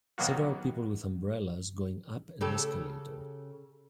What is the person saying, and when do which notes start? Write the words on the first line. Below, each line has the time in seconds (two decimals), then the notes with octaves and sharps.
Several people with umbrellas going up an escalator.
0.18 B2 D#3 F#3 A#3 F#4
2.41 C#3 G4 A4